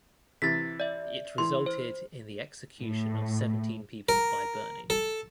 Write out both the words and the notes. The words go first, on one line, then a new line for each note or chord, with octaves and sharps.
It resulted in the execution of seventeen people by burning.
C3 E3 A6 B6
D5 E5
E3 C6
C5
A2
A#4
A4